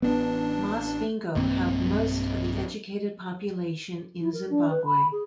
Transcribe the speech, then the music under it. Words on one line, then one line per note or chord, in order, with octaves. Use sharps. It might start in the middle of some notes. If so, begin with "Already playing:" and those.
Masvingo have most of the educated population in Zimbabwe.
A1 B3 D4
B1 G2 A#3 C4
E4
A#4
D4
B4
B5
G#4